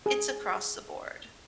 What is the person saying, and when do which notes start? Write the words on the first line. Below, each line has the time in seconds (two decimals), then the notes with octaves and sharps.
it's across the board.
0.06 G#4